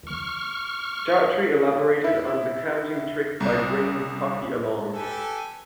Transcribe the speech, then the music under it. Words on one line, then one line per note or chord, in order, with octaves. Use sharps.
Daughtry elaborated on the counting trick by bringing Cocky along.
C#6 F6
E4
C2
G4 A4 B4 G#5